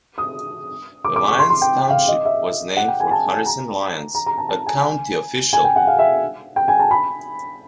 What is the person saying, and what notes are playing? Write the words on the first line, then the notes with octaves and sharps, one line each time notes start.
Lyons Township was named for Harrison Lyons, a county official.
D#6
D6
D6
C#6
C6
C6
G5
F5
D#5
E5
F#5
G5
G#5
A5
A#5
A#5
A#5
A5
A5
G#5
G#5
G5
F#5
F5
E5
G5
G#5
A5
B5